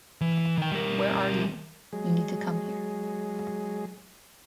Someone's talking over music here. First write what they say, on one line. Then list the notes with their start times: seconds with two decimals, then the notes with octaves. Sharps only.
Where are you? You need to come here.
0.21 E3
0.58 D#3 G5
0.72 G3 A#4
1.93 F#3 G#3 G#4